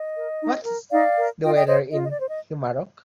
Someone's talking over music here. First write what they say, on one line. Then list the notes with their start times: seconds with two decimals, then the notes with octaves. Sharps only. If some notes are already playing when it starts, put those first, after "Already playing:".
What's the weather in Humarock?
Already playing: D#5
0.15 A#4
0.41 D#4
0.66 A#4
0.91 D#4 D5 F5
1.17 A#4
1.42 F4 D#5 G5
1.55 D#5 G5
1.67 C5 D#5
1.92 F4 D#5
2.03 D#5
2.11 D5
2.19 C5
2.27 D#5